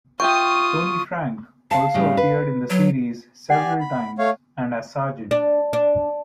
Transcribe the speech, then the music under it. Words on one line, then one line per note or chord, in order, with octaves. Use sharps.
Tony Franke also appeared in the series several times and as Sgt.
F4 G4 E5 G5 C#6 D#6
F5 A5
A2 C#3 G3
B4
F#3
G4 D5 F#5 G#5
B5
A3 C#5 F5
D4
D4